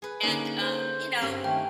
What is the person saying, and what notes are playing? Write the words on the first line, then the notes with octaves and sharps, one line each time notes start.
and, um, you know
G#4 B4
D3 A#3 C#4 D#4 D5
C5
G2 C4 C#4 A#4
D#3 A3 G5